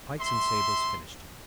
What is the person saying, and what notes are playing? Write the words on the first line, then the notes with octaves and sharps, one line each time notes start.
Pikes and sabres finished him.
E5 C6